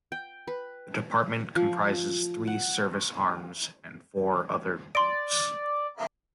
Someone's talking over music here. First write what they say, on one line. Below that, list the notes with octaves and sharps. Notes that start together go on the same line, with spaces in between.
The Department comprises three service arms and four other groups.
G5
B4
F3
F#5
D5 C6 D7